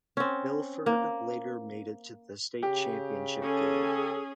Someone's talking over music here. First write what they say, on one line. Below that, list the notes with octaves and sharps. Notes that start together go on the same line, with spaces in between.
Milford later made it to the state championship game.
C4 C#4
A#3
C#3 G4
C#4 G#4 A4